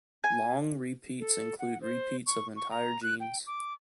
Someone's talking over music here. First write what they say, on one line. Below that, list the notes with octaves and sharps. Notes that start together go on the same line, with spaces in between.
Long repeats include repeats of entire genes.
G#5
A4
F#5
C5
C#6
C#6
A#5
F#6
G5
D6